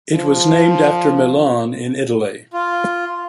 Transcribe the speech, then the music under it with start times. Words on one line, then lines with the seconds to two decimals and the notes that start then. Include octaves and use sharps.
It was named after Milan, in Italy.
0.15 F3
2.53 F4